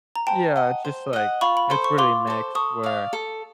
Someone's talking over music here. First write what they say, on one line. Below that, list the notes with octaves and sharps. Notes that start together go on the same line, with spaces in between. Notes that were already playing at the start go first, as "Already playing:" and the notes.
Yeah, it's just like it's really mixed where
A#5
C5 G5 A5
D#5 F#5
C5
D#5 F#5
F4 B5 C#6
B5
A4 C5 C6
C#6
F4 C6 D6
A4 C5
A4 C#6 D#6
D5 F5
A4